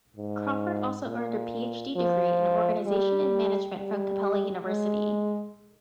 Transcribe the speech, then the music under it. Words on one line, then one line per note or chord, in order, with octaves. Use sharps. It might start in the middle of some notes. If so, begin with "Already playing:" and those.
Crawford also earned a Ph.D. degree in organization and management from Capella University.
G#2
A#2
F3
G3
G3
G#3